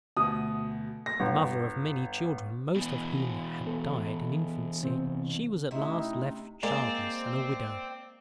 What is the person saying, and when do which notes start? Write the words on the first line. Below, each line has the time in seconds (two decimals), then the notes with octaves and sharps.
The mother of many children, most of whom had died in infancy, she was at last left childless and a widow.
0.17 D2 B2 D#6
1.06 A#6
1.20 G1
2.76 E2 B2
3.66 B3 A4
4.83 C3 C4
5.71 C3 A3 C#4 D#4 E4 E5
6.63 G#3 A#3 C4 D5